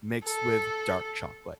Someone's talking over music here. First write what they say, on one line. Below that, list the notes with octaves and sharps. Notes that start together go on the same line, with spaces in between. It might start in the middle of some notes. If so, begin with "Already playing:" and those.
mixed with dark chocolate.
A4